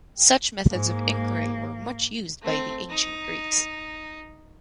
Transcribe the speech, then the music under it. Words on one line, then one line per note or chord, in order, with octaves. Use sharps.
Such methods of enquiry were much used by the ancient Greeks.
G#2 A#3
A3 C4
D#4